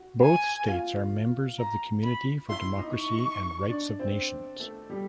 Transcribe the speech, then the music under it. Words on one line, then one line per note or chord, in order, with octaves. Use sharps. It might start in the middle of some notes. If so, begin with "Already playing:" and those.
Both states are members of the Community for Democracy and Rights of Nations.
Already playing: F#4
G#5
F4 F5
A#5
B5
E4 E5 C6
D#4 D#5
C#6
D4 D5
C4 C5
A3 A4
G3 G4